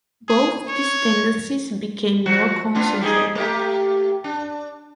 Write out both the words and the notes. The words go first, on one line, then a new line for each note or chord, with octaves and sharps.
Both these tendencies became more concentrated.
G#4
C#5
F3 F#4
B3 D4 F4
G3 D#4 G#4
A3 A#3 G4
D4